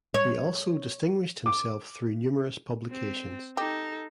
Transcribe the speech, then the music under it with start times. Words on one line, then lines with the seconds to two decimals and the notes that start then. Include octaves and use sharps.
He also distinguished himself through numerous publications.
0.14 C#5
1.46 D6
2.91 C4
3.57 D#4 G4 A4